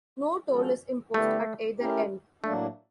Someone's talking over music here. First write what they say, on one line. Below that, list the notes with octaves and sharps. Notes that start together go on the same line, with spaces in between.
No toll is imposed at either end.
F3 G#3 C#4 F#4 A4
D3 G3 A3 B3 E4 G4
A3 C#4 E4 G4 A#4
A2 F#3 A3 A#3 D4